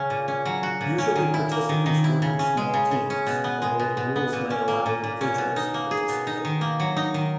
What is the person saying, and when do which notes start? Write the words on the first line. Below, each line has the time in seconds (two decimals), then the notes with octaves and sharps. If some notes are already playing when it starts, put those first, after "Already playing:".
Usually participants work in small teams, although the rules may allow individuals to participate.
Already playing: C#3 C#4
0.10 A#2
0.28 C#4
0.45 F#3
0.63 F#4
0.81 A#2
0.98 C#4
1.16 D#3
1.34 E4
1.51 A#3
1.69 D#3
1.86 D#3
2.04 E4
2.22 C#3
2.39 C#4
2.57 G#3
2.74 C#3
2.91 C#3
3.10 C#4
3.27 B2
3.44 B3
3.62 G#3
3.79 B2
3.97 B2
4.16 B3
4.33 A#2
4.50 C#4
4.68 A#3
4.86 A#2
5.04 A#2
5.21 C#4
5.38 B2
5.56 D#4
5.74 A#3
5.91 G#4
6.09 B2
6.27 D#4
6.45 D#3
6.61 A#3
6.80 F#3
6.96 D#4
7.14 D#3